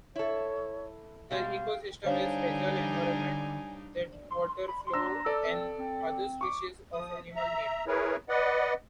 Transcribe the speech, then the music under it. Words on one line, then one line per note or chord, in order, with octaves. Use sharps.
The ecosystem is a fragile environment that waterfowl and other species of animals need.
E4 A4 C#5
B2 G3 G#3 F5
D3 G3 D4 D#4 C5 C#5 F5 G#5
D4 A#5 E6
A4 D5
C4
C4
C#6 D6
F3 D#6
E5 A#5
E4 G#4 A#4 B4 C#5
B4 D5 D#5 F#5